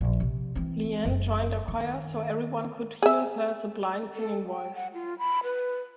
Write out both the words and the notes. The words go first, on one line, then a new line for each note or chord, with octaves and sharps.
Leanne joined a choir so everyone could hear her sublime singing voice.
A#1 D#3
C3
E3 C4
F#1
D#3
G#4 E5
A4
G5
F#5
F4
B5
B4